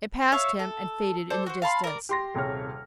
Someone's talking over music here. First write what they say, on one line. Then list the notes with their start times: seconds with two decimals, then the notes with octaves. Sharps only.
It passed him and faded in the distance.
0.32 C#5 E5 F5 C#6
0.59 A4
1.30 A4 C5 D5
1.46 F#4 C5
1.62 F5 A5 B5 C6
1.84 A#4 D5
2.09 G4 C6 A#6
2.34 D#1 C3 G#4 C#5 F6